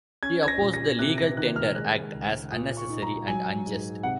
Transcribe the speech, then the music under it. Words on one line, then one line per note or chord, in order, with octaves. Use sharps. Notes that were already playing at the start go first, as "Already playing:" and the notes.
He opposed the Legal Tender Act as unnecessary and unjust.
C#4 G#6
G#6
A#6
A#2
A#6
C3 F#6
A#6
D#3 F#6
F6
G#3 F#6
C#2
A#2 D#6
C#6
D#4
A#5
F#3 G#5
G#2
C3 F#5